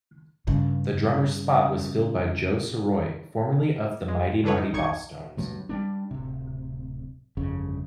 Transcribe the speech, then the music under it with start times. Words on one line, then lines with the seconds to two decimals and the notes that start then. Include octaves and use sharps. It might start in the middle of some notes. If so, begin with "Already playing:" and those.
The drummer's spot was filled by Joe Sirois, formerly of The Mighty Mighty Bosstones.
0.47 G2 C#3
4.08 G#3
4.44 C#3 D4 A4 B4 C#5
4.58 D#4
4.73 B1 D#4 C#6 G#6
5.37 D2 G2 B2 F#3
5.69 G3 B3 D4
6.11 D1 C3
7.37 G1 F2 C#3